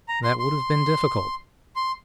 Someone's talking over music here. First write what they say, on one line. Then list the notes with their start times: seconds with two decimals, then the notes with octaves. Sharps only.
"That would have been difficult."
0.08 A#5
0.24 C6
0.39 C6
1.76 C6